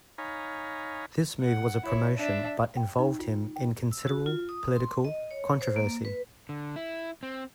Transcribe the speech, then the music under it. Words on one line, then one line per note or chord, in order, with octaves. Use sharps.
This move was a promotion but involved him in considerable political controversy.
D#4 C#5 F5 G#5 A#5 B5
F#5
E4 C#5
D4 E5
G5
D#4
F4
G5
E6
F#4
F4
D#6
C6
D#5
C#5
C5
A#3
B4
D3
E4
C4